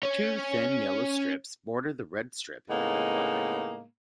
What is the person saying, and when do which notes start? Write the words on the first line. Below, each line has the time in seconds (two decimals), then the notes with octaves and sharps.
Two thin yellow strips border the red strip in the flag.
0.03 C#4 C#5
2.70 A2 C#3 G#3 A#3 B3 D#4